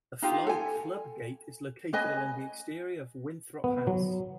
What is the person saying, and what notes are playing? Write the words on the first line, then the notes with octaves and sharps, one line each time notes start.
The Fly Club Gate is located along the exterior of Winthrop House.
D#4 F4 G4
A4 G#5
C#4 B4 D#5 G#5
B3
F#3